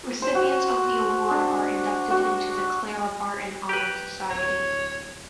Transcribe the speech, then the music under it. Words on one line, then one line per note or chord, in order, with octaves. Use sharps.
Recipients of the award are inducted into the Clara Barton Honor Society.
C5
F#4
D4
F#4
G4 B4
D1 C#5